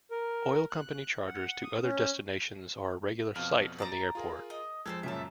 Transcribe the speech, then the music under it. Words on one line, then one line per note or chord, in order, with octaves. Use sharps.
Oil company charters to other destinations are a regular sight from the airport.
A#4
F#6
F#5
D#6
C#4
F2 B2 F5
D5 A5 A#5
F4 G#4 A#4
D#5
F2 G#3 A4 A#4 C5 G#6
F#2 A#2 C#3 E5 A5